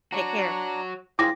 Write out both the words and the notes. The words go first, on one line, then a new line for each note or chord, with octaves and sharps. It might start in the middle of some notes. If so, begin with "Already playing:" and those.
Take care.
D4 F#4 C#5 A#5
E4 F4 G#4 C5 G5 D6 A#6